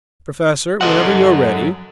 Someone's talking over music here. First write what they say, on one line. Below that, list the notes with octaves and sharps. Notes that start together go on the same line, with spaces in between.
"Professor, whenever you're ready. . . ."
F#4 A4 C5 D#5 F#5
F#2